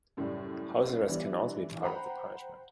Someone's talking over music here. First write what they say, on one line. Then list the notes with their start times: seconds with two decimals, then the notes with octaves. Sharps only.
House arrest can also be part of the punishment.
0.17 F#2 A2 C#3 G3
1.08 E3 G3 B3 D4
1.82 C5 F#5 G5 A#5 B5